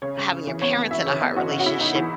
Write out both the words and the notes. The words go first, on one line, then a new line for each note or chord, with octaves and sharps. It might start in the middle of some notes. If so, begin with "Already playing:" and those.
having your parents in a hard relationship,
C#3 C#5
C#3
C#3
E3
B3 C#5
B3
E3 E5
C#3 C#5
B3 D#5
E3 F#4
C#3
F#4
C#3 E4
C#3 D#4
E3 E4